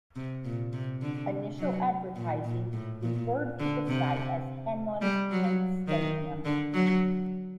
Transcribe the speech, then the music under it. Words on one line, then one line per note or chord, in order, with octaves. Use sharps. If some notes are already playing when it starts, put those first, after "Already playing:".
Initial advertising referred to the site as Hanlan's Point Stadium.
C3
A#2
C3
D3
F#3
A#2
A#2
A2
A#2
D3
C3
G3
F#3
D#3
D3
F#3